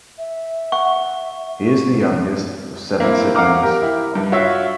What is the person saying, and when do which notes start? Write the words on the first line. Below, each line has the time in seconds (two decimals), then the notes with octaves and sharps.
He is the youngest of seven siblings.
0.18 E5
0.72 F#5 C#6
3.00 A#3 C4 E4
3.35 F5 F#5 A#5 D6 F6
3.63 G4 A#4
3.82 E4
4.15 G2
4.32 F4 F#4 C#5 E5 F5